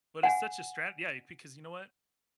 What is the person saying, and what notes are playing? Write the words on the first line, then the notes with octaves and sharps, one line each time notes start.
But it's such a strat yeah, because you know what?
F#5 G#5